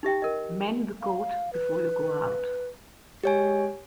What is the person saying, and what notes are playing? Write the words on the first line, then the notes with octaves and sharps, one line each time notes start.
Mend the coat before you go out.
D#4 G4 E5 G5
A#4 D#5
F5
B4
G#3 G4 C#5 G#5